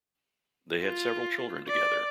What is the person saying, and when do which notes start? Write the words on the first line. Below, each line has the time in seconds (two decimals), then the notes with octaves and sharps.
They had several children together.
0.81 F4
1.67 D5